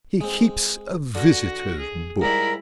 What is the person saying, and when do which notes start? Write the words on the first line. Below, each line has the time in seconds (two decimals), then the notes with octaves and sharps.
"He keeps a visitors' book."
0.21 G#3 C4
1.15 D3 F#4 A#6
1.80 G#4
2.21 G#2 G3 E4 A#4 B5